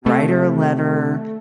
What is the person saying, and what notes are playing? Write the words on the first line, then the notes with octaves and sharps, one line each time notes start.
write her a letter,
C3 A3